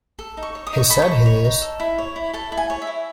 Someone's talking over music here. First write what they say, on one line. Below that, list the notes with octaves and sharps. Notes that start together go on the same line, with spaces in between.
He said he is.
A4
D#4
C#6
C#5
D#6
D#4
C#6
A4 B5
C#6
D#4
C#5
D#4
A4
E4
C#5
E4
A4 A5
E4
G#5
C#5
E5
E4